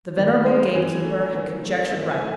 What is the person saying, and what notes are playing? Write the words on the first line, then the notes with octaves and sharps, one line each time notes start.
The venerable gate-keeper had conjectured right.
D#3
G#3 C4
E3
A3 C#4
D#3
A3 C4
D#3 E5
G#5
A3